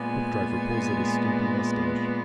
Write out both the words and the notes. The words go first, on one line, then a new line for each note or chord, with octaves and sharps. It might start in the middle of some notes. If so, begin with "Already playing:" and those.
Hoopdriver pulls at his skimpy moustache.
Already playing: A#2 G#3 B3 G#5